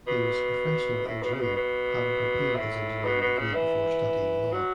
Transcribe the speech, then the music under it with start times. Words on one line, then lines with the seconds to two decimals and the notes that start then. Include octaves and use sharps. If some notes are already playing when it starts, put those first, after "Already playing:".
He was a professional engineer, having completed his engineering degree before studying law.
0.07 B2
1.06 A2
1.23 B2
1.33 C#3
1.40 B2
1.55 B2
2.55 A2
3.05 B2
3.21 B2
3.38 C#3
3.54 E3
4.52 F#3